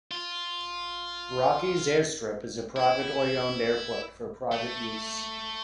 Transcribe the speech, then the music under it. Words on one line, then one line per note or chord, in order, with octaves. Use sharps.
Rockey's Air Strip is a privately owned airport for private use.
F4
E4
A3